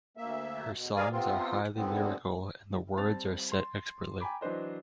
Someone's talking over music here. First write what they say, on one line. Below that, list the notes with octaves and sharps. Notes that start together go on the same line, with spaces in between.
Her songs are highly lyrical and the words are set expertly.
D2 A#3 E5
B2
G#4 A#4 D5 F5 G#5
C3 B3 C4 F4
F#2 A2 D3 G3 B3 C4
G3 C4 A5 A6 F7
C6
G5 G#5 A#5 B5 D6
E3 F#3 D4 B4 C5 D#5